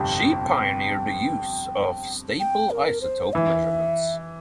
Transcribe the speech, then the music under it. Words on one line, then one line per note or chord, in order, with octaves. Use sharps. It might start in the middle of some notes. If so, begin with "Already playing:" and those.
She pioneered the use of stable isotope measurements.
Already playing: G1 F2 C3 G5
G5
A#4
C5
E3 E5